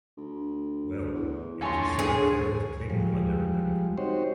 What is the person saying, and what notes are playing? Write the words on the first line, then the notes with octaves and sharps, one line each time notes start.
Well — and she said her tail was tingling like everything!
D2
E2
A#1 A4 C#5 G#5 C6
D3 G#4
F3 G3 G#3
C4 D#4 F#4 G4 C5 C#5